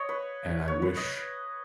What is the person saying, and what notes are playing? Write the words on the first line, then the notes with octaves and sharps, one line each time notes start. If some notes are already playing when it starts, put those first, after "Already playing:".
and I wish
Already playing: C#5 D#5
B4
C#5
B4
D#5